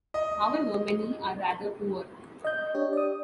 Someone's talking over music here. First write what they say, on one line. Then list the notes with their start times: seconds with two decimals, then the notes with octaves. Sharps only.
However, many are rather poor.
0.14 D#5
2.45 D#5 G6
2.74 D4 G4 C#5
2.93 D5 D#6